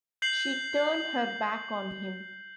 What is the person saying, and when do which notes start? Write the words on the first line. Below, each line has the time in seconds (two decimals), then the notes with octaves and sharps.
She turned her back on him.
0.22 G6 C7 F#7